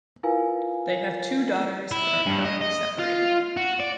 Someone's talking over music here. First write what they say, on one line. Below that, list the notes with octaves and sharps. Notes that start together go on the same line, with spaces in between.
They have two daughters but are currently separated.
E4 F4 A#4 B4 F5 G#5
E4
G2
D#5
D#5
F4
F#4
D5